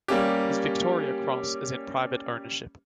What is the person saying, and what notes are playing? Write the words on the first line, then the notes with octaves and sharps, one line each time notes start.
His Victoria Cross is in private ownership.
G3 A#3 C#4 G4